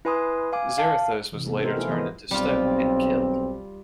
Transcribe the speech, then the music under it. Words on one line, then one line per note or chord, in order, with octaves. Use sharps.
Zarathos was later turned into stone and killed.
E4 B4 G#5 C6 D#6
F5 G#5 D6
F5 A5
C3 E3
C3 A3 B3 A4
D#4 G4 A#4 C5
A3 E4 F4 G#4 A#4
E3 F3 B3 A#4 C5 D#5
B1 G3 C4 F4